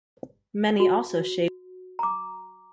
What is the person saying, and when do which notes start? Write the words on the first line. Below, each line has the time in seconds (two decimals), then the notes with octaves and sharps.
Many also shave their head as this is considered hygienic.
0.80 F#4
1.99 A#5 D6